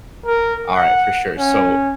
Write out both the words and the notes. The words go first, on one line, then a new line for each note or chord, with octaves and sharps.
All right, for sure, so,
A#4
F#5
C#4